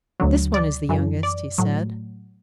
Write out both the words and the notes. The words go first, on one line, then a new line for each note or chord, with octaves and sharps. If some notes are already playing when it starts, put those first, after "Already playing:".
'This one is the youngest,' he said.
D2 D3 F#3
D5
F#2 E3
D5
A2 F#3